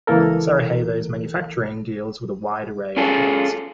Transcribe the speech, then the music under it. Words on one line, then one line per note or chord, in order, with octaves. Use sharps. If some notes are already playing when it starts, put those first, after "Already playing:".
Sarajevo's manufacturing deals with a wide array of products.
C#2 E3 A#3 A4 A#4
C#4 F4 G#4 A4